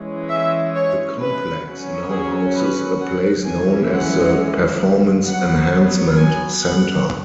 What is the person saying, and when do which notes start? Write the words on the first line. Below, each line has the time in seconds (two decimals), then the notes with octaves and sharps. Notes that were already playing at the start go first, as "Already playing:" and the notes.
The complex now houses a place known as the Performance Enhancement Center.
Already playing: E3 G#3 C#4
0.29 E5
0.74 C#5
1.20 B4
1.65 F#3 C#4
2.10 G#4
2.55 B4
3.00 F#5
3.45 E3 G#3 C#4 G#5
3.91 F#5
5.26 F#3 B3 F#5
6.16 G#5
6.61 F#5